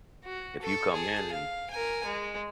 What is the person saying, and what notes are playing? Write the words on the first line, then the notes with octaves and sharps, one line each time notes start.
if you come in and
F#4
A4 C#6
G#4 A5
F5
A#4 G#5
G#3